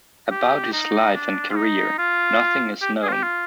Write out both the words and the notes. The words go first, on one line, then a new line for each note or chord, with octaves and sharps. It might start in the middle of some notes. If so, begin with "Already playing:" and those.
About his life and career, nothing is known.
G4
D#4
D4
F4
D#4
F4
G4
G#4
F4
G4
F4